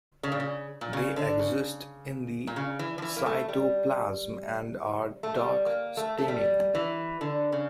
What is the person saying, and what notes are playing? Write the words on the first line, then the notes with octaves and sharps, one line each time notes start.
They exist in the cytoplasm and are dark staining.
C#3
A#2
C#3
A#2
C#3
D3
C#3
A#2
C#3
E3
F3
E3
A#3
A3
G3
A3
G3
A#3
A3
A3
G3
E3
D3
C#3